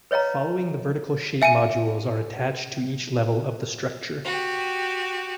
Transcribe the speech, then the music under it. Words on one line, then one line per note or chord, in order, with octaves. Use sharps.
Following the vertical shape modules are attached to each level of the structure.
B4 C#5 D#5 F5 A#5
E5 G#5 C#7 D#7
F#4 G4